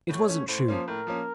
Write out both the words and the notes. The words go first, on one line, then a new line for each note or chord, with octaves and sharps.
It wasn't true.
A2 C#5
A3 C#4
A2 C5
F3 A#3 C#4
A2 A#4
F3 A#3 C#4